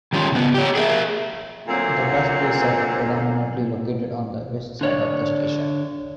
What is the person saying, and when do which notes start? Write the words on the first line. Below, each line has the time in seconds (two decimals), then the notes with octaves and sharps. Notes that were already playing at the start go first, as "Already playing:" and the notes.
The bus bays are predominantly located on the west side of the station.
0.13 D#3 G3 C#4 F4
0.32 C#3 B3
0.54 G4 C#5
0.75 G#4 A#4 D5 E5
1.68 A#2 D3 F#3 A3 C4
4.81 D3 C#5 D5